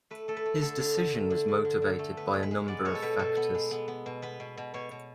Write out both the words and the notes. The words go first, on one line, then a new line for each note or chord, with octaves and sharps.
His decision was motivated by a number of factors.
A3 B4
A3 A4
B4
A3
D3 A4
D3
D3
A3
D3
D3
D3
D3
A3
B3 B4
G#3
B4
G#3
B3 D5
B2 C#5
A4
B2 B4
B2 A4
B3
G#3
B3
B3
B2
B3 B4
B2
B2
B2 C#5
B2